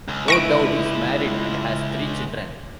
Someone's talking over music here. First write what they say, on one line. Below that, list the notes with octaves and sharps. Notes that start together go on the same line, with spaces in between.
O'Dowd is married and has three children.
C#2
E4 B4 C#6 A#6 D7